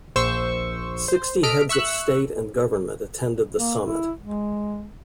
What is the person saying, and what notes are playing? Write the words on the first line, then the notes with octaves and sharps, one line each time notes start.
Sixty Heads of State and Government attended the summit.
A#1 C5 C#6 E6
C5
A4 D#5 F6 B6 D7
E5 C#6 E6 F#6
A#3
E4
G#3